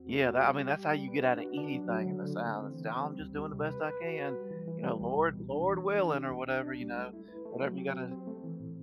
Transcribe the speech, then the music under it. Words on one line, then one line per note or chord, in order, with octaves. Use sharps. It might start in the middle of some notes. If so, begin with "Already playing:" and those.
Yeah, that I mean, that's how you get out of anything in the South. Say, "I'm just doing the best I can, you know, Lord Lord willing," or whatever, you know, whatever you gotta
Already playing: E2 C4 F#4
A3
F#4
G3
G4
G4
G3
B4
D4
F#4
D4
F#3
F#3
D3
D3
A3
C4
E3
C4
G3
D2
G3
C3
B4
B4
F#4
B4
G3
E3
E3
G3
C2
C2
B2
D4
E3
A3
D4
G4
C2
D4
D4
G3
A3
E4
B4
A3
F#3
G4
C4
C4
A3
E3
A2